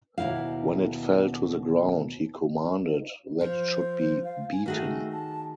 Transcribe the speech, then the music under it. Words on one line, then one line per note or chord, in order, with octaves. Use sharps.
When it fell to the ground he commanded that it should be beaten.
D#2 B2 D#3 E4 F5
F3 C5
F5
G#5
D#3 A3 F#4 G#4
A5